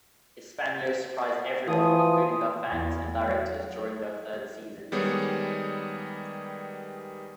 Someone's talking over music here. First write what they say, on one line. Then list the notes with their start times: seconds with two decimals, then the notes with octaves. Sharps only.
Hispano surprised everyone including their fans and directors during their third season.
1.68 E3 F3 D#6
2.68 E2
3.23 F#3
4.92 D#3 G3 G#3 B3 G#4 C#5